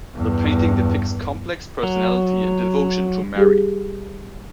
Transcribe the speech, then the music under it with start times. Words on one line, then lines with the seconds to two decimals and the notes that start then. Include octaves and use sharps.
The painting depicts complex personality and devotion to Mary.
0.15 E2 G2
1.83 F#3
3.36 G3 G4 G#4